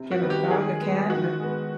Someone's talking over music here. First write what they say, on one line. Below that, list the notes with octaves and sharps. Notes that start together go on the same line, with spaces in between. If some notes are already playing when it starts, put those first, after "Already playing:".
do you have a dog, a cat, or
Already playing: C3
F#4
D#3 G3 B3
G4
D#3 G#4
G#3 B3
D#3 F#4
G#3 B3